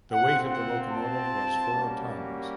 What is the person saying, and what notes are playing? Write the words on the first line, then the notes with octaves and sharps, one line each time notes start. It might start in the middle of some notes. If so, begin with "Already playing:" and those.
The weight of the locomotive was four tons.
C4 F4 F#5
F#5
A5
G3 A#3 C#4 F#4